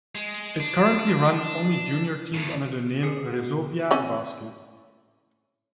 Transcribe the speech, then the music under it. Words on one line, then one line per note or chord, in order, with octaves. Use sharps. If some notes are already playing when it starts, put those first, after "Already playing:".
It currently runs only junior teams under the name Resovia Basket.
G#3
D4
E2 A2
C#4 G#4 C#7
B2
C4 C#4 D5